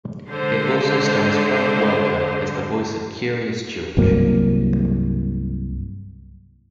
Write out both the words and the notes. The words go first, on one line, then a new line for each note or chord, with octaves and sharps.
It also stars Frank Welker as the voice of Curious George.
D3 G#3 C5
C2 G2 F#3 A#3